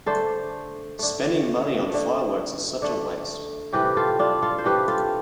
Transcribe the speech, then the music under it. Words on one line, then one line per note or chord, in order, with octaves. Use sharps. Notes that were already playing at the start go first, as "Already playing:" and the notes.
Spending money on fireworks is such a waste!
D3 A3 A4 C5
D3 A3
D3 A3
D3 A3
C3 E3 A3 G4 B4
F4 A4
D4 F4
F4 A4
C5
C3 E3 A3 G4 B4
F4 A4